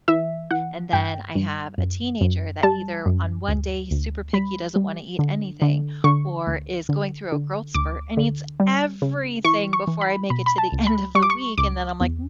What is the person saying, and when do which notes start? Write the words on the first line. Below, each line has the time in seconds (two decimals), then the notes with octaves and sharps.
And then, I have a teenager, that either on one day, he's super picky, doesn't wanna eat anything, or is going through a growth spurt and eats everything before I make it to the end of the week, and then I'm like,
0.08 E3 E5
0.51 E3 F#5
0.93 G2 G5
1.35 G2
1.78 F#2
2.21 F#2
2.63 G3 A5
3.06 F#2
3.48 D2
3.91 D2
4.33 G3 B5
4.76 G3
5.19 D3
5.62 D3
6.04 D3 C#6
6.47 D2
6.89 D3
7.32 D3
7.74 D2 D6
8.17 D3
8.60 G3
9.02 C#3
9.44 E3 C#6
9.73 C#6
9.87 E3
10.01 B5
10.30 B2 B5
10.46 B5
10.58 A5
10.72 C#2
10.87 B5
11.15 G3 C#6
11.22 D6
11.30 C#6
11.58 C#2 D6
12.01 E2